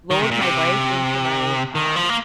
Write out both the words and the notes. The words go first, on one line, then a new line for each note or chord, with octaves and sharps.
load my bike into my, um,
D#3
C3
A#2
C3
D#3
F3
A#3